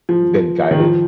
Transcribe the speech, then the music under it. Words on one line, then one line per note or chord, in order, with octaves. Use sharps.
been guided.
F3
D#3
F3